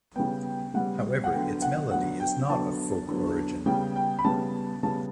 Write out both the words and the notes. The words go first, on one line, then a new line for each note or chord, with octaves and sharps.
However its melody is not of folk origin.
C#3 G3 B3 G5
C#3 G3 B3 F#5
F#5
D3 F#3 B3 G5
F#5
D3 F#3 B3 F#5
G5
D3 F#3 B3 A5
D3 F#3 B3
C#3 G3 B3 G5
G5
B5
C#3 G3 B3 A5
C#3 G3 B3 A5